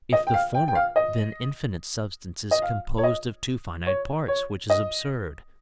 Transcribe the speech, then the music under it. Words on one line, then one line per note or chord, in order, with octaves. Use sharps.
If the former, then infinite substance is composed of two finite parts, which is absurd.
D#5
G5
F5
G5
G5
F5
D#5
D#5
F5
C#5
D#5
C#5
C#5
D#5